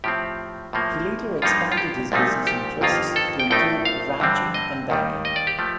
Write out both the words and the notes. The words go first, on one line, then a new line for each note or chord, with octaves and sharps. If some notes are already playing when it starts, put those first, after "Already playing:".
He later expanded his business interests to include ranching and banking.
A2 F3 C4 G4
A2 F3 A#3
G2 F3 A#3 D#4 F4
F4
G4
C2 A#2 F3 A3 D#4
G4
G1 F2 D#3 A#3 F4
A4
G5
A#1 A2 A3 D#4 G5
F5
G2 D3 G3 C4
D#5
D#2 D#3 G3
D#5
D5
G4
F3 A3